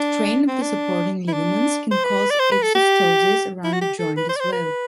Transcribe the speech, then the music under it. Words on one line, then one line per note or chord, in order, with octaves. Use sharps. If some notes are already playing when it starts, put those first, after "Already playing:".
Strain of the supporting ligaments can cause exostosis around the joint as well.
Already playing: D4
C4
D4
E4
D4
C5
B4
D5
C5
B4
A4
G4
E4
F#4
G4
A4
B4
C5
D5
C5
B4